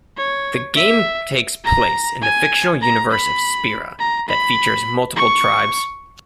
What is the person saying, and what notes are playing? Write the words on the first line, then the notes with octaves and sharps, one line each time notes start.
The game takes place in the fictional universe of Spira that features multiple tribes.
C#5
E5
A#5
G#5
A#5
B5
A#5
B5
C#6